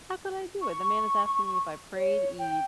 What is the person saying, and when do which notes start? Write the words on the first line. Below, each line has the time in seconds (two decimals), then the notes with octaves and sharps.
How could I do it? The man is asking me if I prayed, eat,
0.61 C#6
1.96 C#5
2.39 G5